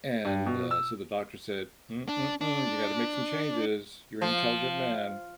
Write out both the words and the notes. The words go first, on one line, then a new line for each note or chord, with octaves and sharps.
And, uh, so the doctor said, "Mm-mm-mm, you gotta make some changes. You're an intelligent man,
G2
B2
E6
D4
D4
F3